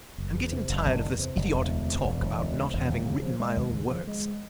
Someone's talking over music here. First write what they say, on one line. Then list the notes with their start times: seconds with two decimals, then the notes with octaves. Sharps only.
I'm getting tired of this idiotic talk about not having written my own works.
0.18 F#1
0.35 E2
0.52 C3
0.69 F#1
0.86 F#1
1.03 E2
1.20 C3
1.36 F#1
1.53 E1
1.71 D2
1.88 C3
2.05 E1
2.21 E1
2.38 D2
2.55 C3
2.72 E1
2.89 D#2
3.06 C#3
3.23 F3
3.40 G#3
3.57 D#2
3.73 C#3
3.90 F3
4.07 G#3